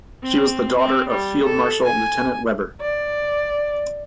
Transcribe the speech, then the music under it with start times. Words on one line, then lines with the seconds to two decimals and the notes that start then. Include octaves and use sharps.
She was the daughter of Field Marshal Lieutenant Weber.
0.23 C4
0.77 C4
1.09 G3
1.43 A4
1.83 G#5
2.81 D5